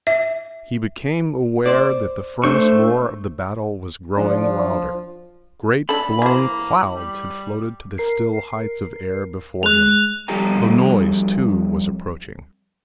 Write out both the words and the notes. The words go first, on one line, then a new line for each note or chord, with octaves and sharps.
He became aware that the furnace roar of the battle was growing louder. Great blown clouds had floated to the still heights of air before him. The noise, too, was approaching.
E5
C5 D5
A3 D4 C5 C#6
F3 D4
D4 A4 B5
E3 A#3 C5
G3
A#4 C7
G#3 F#6 F7
F2 G3 G4 A4 G#5 A#5